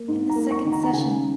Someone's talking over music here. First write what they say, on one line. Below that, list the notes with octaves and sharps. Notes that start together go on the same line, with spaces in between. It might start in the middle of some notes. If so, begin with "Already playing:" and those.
In the second session.
Already playing: A#3
G#2
A#5
A#3
C#6
D#3
A#5
A#5
C#3 G#5